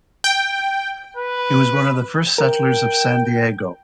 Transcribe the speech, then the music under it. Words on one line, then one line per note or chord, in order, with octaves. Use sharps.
He was one of the first settlers of San Diego.
G5
B4
A#4 G5